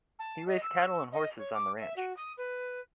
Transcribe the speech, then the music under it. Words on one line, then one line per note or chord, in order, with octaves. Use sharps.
He raised cattle and horses on the ranch.
A5
D#5
E6
D#5
C#5
D6
E5
F#4
D#6
B4